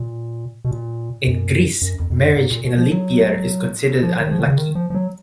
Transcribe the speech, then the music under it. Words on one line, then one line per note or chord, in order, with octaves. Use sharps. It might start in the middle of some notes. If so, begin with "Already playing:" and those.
In Greece, marriage in a leap year is considered unlucky.
Already playing: A#2
B2
A#2
F#2
F#2
F2
F2
F#2
G#2
A#2
B2
F3
F#3
F3
D#3
F3
D#3
C#3
D#3
F3
F3
F#3